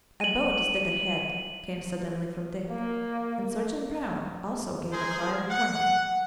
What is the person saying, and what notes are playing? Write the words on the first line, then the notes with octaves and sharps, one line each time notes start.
"A boat is dead ahead!" came suddenly from Dick, and Sergeant Brown also gave a cry of warning.
D#7 F#7
A#3
G#4 A#4 C5
F#5